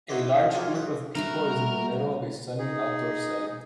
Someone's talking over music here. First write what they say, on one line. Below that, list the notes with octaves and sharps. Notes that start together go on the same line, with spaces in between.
A large group of people is in the middle of a sunny outdoor setting.
D#4 E4 F#4 C5 D5 D#5
F3 F#3 G#3 A#3 F4
B1 C4 B4 D#6
G3 A3 F#4 A#4
D#4 G#4